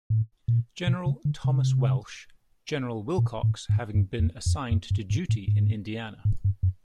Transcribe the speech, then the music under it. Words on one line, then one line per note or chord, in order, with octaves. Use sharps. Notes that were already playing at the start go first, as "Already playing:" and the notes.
General Thomas Welsh, General Willcox having been assigned to duty in Indiana.
A2
A#2
B2
C#3
D3
C3
A#2
A2
G#2
G2
F2
F2
F#2
G2
G#2
A2
G#2
G#2
G2
F#2